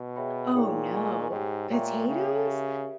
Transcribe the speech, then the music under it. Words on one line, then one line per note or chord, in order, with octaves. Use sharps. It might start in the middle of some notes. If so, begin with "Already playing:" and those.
Oh no, potatoes?
Already playing: B2
G#4 C#5 E5 G5 B5
A#2 D#4 G#4 C#5 G5 C#6
G#4 D#5 G#5 C#6
G#2 G4 C#5 G5
A#2 C#5 E5 G5 A#5 C#6
C#3 A#4 C#5 E5 G5
G4 A#4 E5